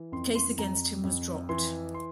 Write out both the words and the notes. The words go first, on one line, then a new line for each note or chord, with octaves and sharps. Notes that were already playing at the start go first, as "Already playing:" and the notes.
The case against him was dropped.
Already playing: E3
F2 C6
C6
F2 A#5
F2
E3 C6
C6